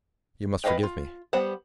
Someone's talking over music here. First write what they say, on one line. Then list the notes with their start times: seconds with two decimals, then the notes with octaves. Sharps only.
You must forgive me.
0.64 B4 C#5 D#5 F5 G5
0.83 F4
1.33 G3 B3 C5 F#5